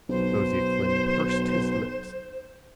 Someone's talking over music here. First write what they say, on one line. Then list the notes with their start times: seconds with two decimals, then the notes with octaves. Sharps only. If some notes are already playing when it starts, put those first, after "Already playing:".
Nosey Flynn pursed his lips.
0.09 B1 C5